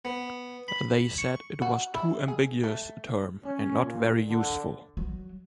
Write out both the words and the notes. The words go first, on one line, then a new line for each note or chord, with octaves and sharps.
They said it was too ambiguous a term, and not very useful.
B3
B5
C#6
F#4
E4
G#4
A3
C#4
A#2
D3
F#3